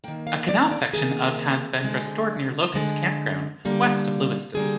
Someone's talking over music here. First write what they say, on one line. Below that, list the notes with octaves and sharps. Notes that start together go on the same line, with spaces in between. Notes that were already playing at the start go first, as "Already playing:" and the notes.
A canal section of has been restored near Locust Campground, west of Lewistown.
D#3 A#3 G5
F5
D5
D5
D#3 A#3 G#4
D3 G#3
D3 G#3
D3 G3 A#3
D3 G3 A#3 G#4